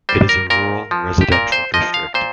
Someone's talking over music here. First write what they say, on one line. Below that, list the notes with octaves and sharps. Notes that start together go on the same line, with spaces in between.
It is a rural, residential district.
G3 C5
A#4
A#2 A#4
F3
G4
A#2 A#4
C5
F3 D#5
F5
A#2 C5